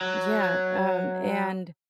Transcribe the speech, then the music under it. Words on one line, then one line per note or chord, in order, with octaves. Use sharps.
Yeah, um, and
F#3